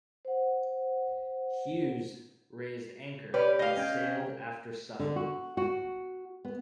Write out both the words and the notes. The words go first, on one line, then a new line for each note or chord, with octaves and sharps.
Hughes raised anchor and sailed after Suffren.
C5 F#5
C#4 G4 B4 D5
D#5 F5
C#4 G5
D3
F#4
F#4
B3